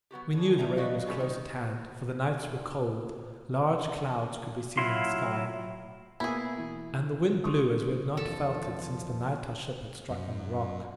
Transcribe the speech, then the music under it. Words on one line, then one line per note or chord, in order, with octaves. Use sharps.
We knew the rain was close at hand, for the nights were cold; large clouds could be seen in the sky, and the wind blew as we had not felt it since the night our ship had struck on the rock.
F#3 B3 F#4 G4
D3 G#4
D3 G3 G#4 E5 A#5
F#4 B4 D5 D#5 F5
G3 A3 C#4 E4 F4 G4
D#3
F#3 E4 F4 F5 C6
B2 A#3 B3 E4 G#4
E3
C6 C#6 D#6
E2 D#3 F3 A4
F#2